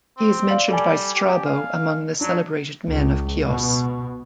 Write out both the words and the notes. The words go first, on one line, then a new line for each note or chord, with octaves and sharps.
He is mentioned by Strabo among the celebrated men of Chios.
C4
D5 F5 F#7
G3 A4 D5 G#5
G4
F5
F#3 D4
C#2
B2